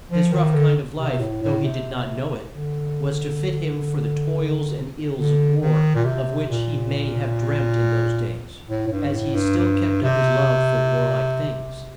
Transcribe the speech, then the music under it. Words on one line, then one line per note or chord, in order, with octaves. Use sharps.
This rough kind of life, though he did not know it, was to fit him for the toils and ills of war, of which he may have dreamt in those days, as he still kept up his love for war-like things.
F3
D#3
D3
C3
A2
A2
C3
D3
D3
D#3
A#2
C3
A#2
A2
A2
G2
A2
G2
G2
C3